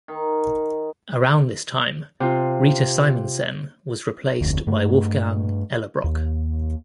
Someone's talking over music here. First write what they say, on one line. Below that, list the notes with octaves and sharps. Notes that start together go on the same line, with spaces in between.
Around this time Rita Simonsen was replaced by Wolfgang Ellerbrock.
D#3
C3 F4
F1 D2
G2 A3
D#2